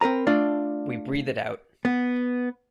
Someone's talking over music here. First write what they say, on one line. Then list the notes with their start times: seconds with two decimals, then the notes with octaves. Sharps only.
We breathe it out.
0.01 C4 A#4 B4 A#5
0.27 A3 D4 F4 D5
1.85 B3